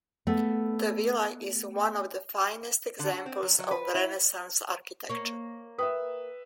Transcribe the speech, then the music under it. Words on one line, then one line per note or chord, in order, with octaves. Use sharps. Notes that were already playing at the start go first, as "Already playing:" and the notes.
The villa is one of the finest examples of Renaissance architecture.
A3 B3
D3
F#4
C4
F#3
F#3
B4
E4
A#3 C#5
B4 E5 G5 D#6